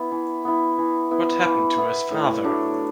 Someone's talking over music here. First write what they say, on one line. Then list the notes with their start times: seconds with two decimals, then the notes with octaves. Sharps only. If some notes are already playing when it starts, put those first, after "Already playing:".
What happened to his father?
Already playing: B3 E4
0.12 E3
0.45 B3 E4
0.78 E3
1.11 B3 E4
1.45 E3
1.78 B3 E4
2.11 A2
2.44 F#3 A3 D4